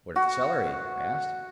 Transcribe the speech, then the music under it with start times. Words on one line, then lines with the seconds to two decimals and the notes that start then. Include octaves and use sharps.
"What is the salary?" I asked.
0.16 F#4